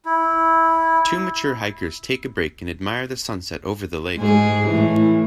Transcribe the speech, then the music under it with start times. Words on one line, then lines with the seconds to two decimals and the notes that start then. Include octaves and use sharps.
Two mature hikers take a break and admire the sunset over the lake.
0.05 E4
4.17 G#2 G#4
4.69 A2 E3